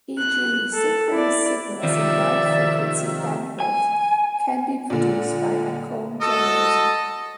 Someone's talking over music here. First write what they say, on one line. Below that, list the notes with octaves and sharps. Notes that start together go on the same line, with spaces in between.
E.g., synchronous signals in wide frequency bandwidth can be produced by a comb generator.
F#6
A4
E4 D5
C3 D#3 F3 C4 D5 E5
G#5
A#2 D3
F#4 A4 D#5